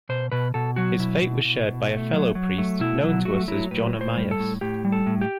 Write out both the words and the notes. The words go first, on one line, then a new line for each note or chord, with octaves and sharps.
His fate was shared by a fellow priest, known to us as John Amias.
B2 C5
B2 B4
B2 A4
F#3 F#4
B2 E4
B2
B2
B2
A3
F#3
F#3
A3
B2 E4
F#3 E4
A3 F#4
F#3 E4
A2 B4
A2
C5
G3
A4
A2
A2 G4
G3
A4
A2
G4